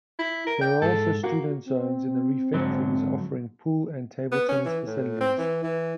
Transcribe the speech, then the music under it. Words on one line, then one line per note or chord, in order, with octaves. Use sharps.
There are also 'Student Zones' in the refectories offering Pool and Table Tennis facilities.
E4
A#4
D5 G5
G#2 A4
A#3 F#4
C4
G#2 D3 F#3
B3
C#4
E3
A2
C4
E3
E3